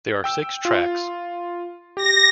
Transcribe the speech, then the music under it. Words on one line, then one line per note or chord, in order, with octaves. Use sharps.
There are six tracks.
G5 E6
F4
G4 A#6